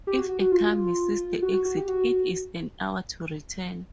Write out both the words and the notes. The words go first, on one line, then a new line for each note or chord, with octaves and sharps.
If a car misses the exit, it is an hour to return.
G4
F#4
F#4
F#4
F4
F#4
F#4
F#4
G4
F#4